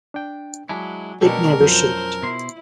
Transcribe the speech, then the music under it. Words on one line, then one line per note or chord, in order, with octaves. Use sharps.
It never shipped.
D4 G5
F#3 G#3 D4 E4 G#5
B2 G#3 C#4 D4 A4 A#4 G5
F2 F#3 F4 C5 G6
B2 E4 C5